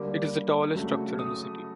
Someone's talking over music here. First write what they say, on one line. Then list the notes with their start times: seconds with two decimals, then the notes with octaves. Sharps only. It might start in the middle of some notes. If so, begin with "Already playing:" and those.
It is the tallest structure in the city.
Already playing: D3 G3 A#3 D6
0.75 C#3 F#3 A3
1.19 D#6